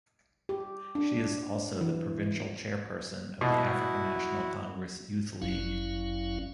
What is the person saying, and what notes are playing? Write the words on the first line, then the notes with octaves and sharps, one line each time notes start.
She is also the provincial chairperson of the African National Congress Youth League.
G4
D4
E3
B2 E4 F#4
G1 F#2 F#3 C#4 E4 F5